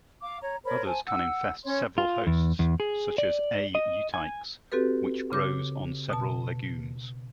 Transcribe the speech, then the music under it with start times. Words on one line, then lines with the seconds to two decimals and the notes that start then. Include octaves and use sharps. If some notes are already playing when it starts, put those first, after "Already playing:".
Others can infest several hosts, such as "A. euteiches", which grows on several legumes.
0.22 F5 D6
0.42 C#5 A#5
0.65 A#4 C5 C#5 B5
0.85 C5 G#5 A5
1.07 F#5 E6
1.63 C#4 C#5 C6
1.98 F4
2.27 E2
2.59 E2
2.80 G#4
3.18 D5
3.75 D#5
4.14 G#5
4.72 C4 F#4 G4 A4 B4
5.32 C#3 D6 G6
6.10 B2 A5